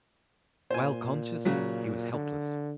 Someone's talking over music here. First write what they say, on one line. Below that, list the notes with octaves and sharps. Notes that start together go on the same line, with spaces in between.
While conscious, he was helpless.
A#2 C5 G#5
C#3 F#3
D3